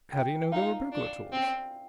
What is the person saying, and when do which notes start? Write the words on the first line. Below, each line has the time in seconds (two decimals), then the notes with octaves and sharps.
"How do you know they were burglar tools?"
0.12 G5
0.52 D#4 F5
0.92 D4
1.32 C4